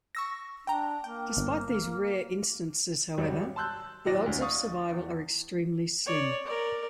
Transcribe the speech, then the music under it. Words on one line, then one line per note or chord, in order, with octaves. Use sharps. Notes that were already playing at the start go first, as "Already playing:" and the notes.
Despite these rare instances, however, the odds of survival are extremely slim.
C#6 E6 A#6
D4 G5 A#5
A#3 G5
G1
G#1 F#3 G3
A5 C6 E6 F#6 G6
D#1 A2 F#3 G4 D5 A#6
D2
D5 F5 C#6 D#6 A6
E2
C#5 D5
A#4 D5